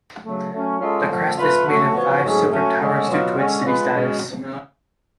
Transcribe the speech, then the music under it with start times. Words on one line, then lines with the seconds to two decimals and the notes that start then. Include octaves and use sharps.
The crest is made of five silver towers due to its city status.
0.24 C#3 F#3 A3
0.52 F#3 A3 C#4
0.80 G#3 C#4 F4 A4
1.09 D3 F3 A3
1.38 A3 F4 B4
1.66 A3 C#4 F#4 A4
1.94 F3 B3 F#4 C#5
2.23 G#2 F#3 A3 C#4 G#4
2.51 F#3 A3 C#4
2.80 D3 G#3 C#4 G#4 C#5
3.08 B2 F#3 B3 F4
3.37 D3 G#3 C#4
3.65 G#3 B3 F4 B4
3.94 B2 G#3 C#4